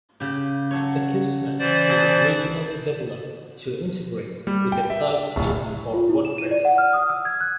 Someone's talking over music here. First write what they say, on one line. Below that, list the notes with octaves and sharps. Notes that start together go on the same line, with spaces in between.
Akismet was originally developed to integrate with a plug-in for WordPress.
C#3 G4
F#3 A4 C#5
E3 C5 D5
G#4 A4 F#5
G3
G5
E5
D1
F4
E4
E7
D#7
D5
F#5
F6
D#6
E6
G#6
F#6